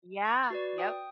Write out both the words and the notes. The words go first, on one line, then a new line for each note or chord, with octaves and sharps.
Yeah, yep.
C#6 A6
F#4 B4 D5
G5 D#6